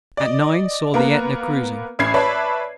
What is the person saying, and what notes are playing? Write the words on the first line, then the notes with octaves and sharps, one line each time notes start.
At nine saw the AEtna cruising.
D5 D#5
A#3 B3 B4 A#5
A1 C#4 C#5 B5 G#6 C7
B4 C#5 D5 E5 A5 B5